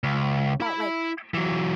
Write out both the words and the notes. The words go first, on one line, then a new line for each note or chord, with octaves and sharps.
about, like,
C#2
E4 B5
E3 F#3